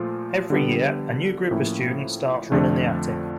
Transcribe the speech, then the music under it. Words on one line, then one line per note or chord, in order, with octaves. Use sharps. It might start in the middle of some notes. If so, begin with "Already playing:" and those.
Every year a new group of students starts running the attic.
Already playing: A#2 F3 A3 F4
D3 G3 B3
A2 F3 A#3 C#4 E4
F2 D3 F3 A3 D4